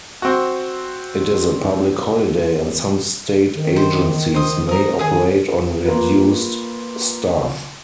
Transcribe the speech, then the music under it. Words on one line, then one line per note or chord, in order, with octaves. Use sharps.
It is a public holiday and some state agencies may operate on reduced staff.
C4 F#4
D#3
C5
C5 D#6
A#4 C5 D#6
D#3 G#4 D#6
A#3 F4 A#4 B4